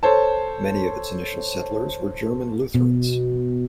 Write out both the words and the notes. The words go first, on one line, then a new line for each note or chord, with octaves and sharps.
Many of its initial settlers were German Lutherans.
A4 C5 C#5 A5
B2